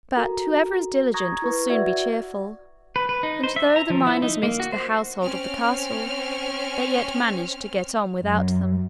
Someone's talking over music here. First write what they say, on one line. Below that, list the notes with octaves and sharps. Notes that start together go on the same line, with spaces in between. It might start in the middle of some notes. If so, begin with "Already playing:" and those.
But whoever is diligent will soon be cheerful, and though the miners missed the household of the castle, they yet managed to get on without them.
F#4 A4 A#4 A#5
A#5 C#6 D#6 F#6 G#6 A#6
E4 B4 C#6
F#4 D5 E5 F#5 G#6
B4
B4
D#4
C5
E5
A#5
F3
E4
D#4
A#3
F#4
C5
C4 C#4 F6
F#2